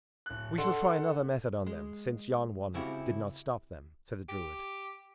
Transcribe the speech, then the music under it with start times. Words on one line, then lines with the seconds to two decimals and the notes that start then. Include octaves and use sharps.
"We shall try another method on them, since yon one did not stop them," said the druid.
0.26 D1 F#6
0.58 D4 A4 F#5 C6
1.66 G#3
2.74 C#3 C4 E4 F#4 G4
4.29 G4